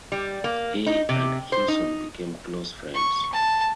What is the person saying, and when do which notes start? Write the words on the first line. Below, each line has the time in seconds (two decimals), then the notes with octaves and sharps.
He and Hewson became close friends.
0.12 G3
0.44 A#3
0.86 D#4
1.09 C3
1.52 C5
1.68 D#4
2.94 C#6
3.33 A5